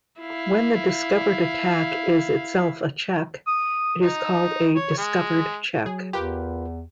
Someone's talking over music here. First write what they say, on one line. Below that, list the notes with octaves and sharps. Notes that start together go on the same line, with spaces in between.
When the discovered attack is itself a check, it is called a "discovered check".
E4 F5
D#6
D#4
C#5
G#3
F#3 G#4
E2 F4 G4 A#4 B4